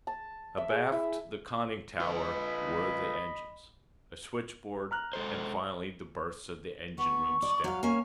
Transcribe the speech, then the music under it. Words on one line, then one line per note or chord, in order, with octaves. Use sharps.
Abaft the conning-tower were the engines, a switchboard, and finally the berths of the engine-room staff.
A5
E5
G#4
E4
F4 B4 D#5 B5
A#5 F6 F#6
G#3 A4 C5
B3 C#6
D5
F#3 F5
A#3 C#4 G#5